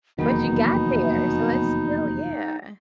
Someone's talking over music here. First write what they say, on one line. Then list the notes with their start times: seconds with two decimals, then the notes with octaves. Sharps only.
But you got there, so that's still yeah.
0.19 F1 E2 B2 D#3 F#3 A#3 D#4 B5